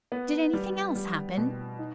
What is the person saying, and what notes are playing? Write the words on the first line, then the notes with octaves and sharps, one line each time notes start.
"Did anything else happen?"
B3
G3
G3
B2
D#4